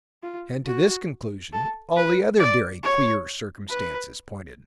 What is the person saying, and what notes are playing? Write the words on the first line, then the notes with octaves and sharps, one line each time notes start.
And to this conclusion all the other very queer circumstances pointed.
F4
F#4
A4
B4
D5
C#5
B4